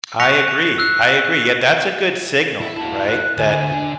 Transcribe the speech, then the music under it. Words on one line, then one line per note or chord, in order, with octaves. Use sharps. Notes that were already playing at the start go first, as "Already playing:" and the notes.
I agree, I agree, yeah, that's a good signal, right? That
C#6 F#6 A#6 B6 C#7 F7
E6 F#6 C7
E4
E4 F#4 A5
F#6
D2 G#5
D3